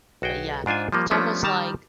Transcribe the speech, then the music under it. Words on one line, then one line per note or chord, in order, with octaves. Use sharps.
But, yeah. It's almost like
B1 F#4 G#4 G5
G#2 D4 F4 C5 G#5
F3 G3 A#3
F3 G3 A3 B3 C#4 D4
D#3 G3 A5 A#5